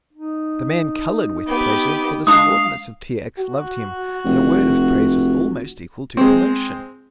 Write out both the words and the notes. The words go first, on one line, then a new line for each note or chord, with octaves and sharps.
The man coloured with pleasure for the subordinates of T. X. loved him, and a word of praise was almost equal to promotion.
D#4
B3 G4
G#3 D4 F5 D#6
F#4
F1
G#3 C4